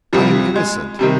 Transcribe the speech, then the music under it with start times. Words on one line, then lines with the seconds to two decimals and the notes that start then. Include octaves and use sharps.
"I am innocent."
0.13 C2 C3 F3 G3
0.56 G#3
0.99 C3 D#3 G3